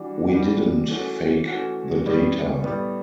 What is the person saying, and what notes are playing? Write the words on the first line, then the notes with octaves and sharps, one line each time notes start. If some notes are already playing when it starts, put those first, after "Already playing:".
We didn't fake the data.
Already playing: E3 G3 D4 F#4
E3 G3 D4 F#4
E3 A3 C#4 F#4
E3 A3 C#4 F#4
A2 G3 B3
A2 G3 B3